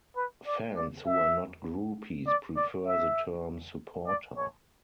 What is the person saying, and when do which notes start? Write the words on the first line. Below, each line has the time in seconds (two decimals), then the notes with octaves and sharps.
Fans who are not groupies prefer the term "supporter".
0.16 B4
0.47 D5
0.76 D5
1.06 E5
2.27 D5
2.57 D5
2.86 E5
4.07 D5
4.37 C#5